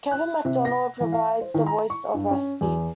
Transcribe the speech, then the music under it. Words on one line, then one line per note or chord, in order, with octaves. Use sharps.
Kevin McDonald provides the voice of Rusty.
F#6
C3
A#6
E3
F5
C5
D#3
A#5
C#6
G2
C#4
E2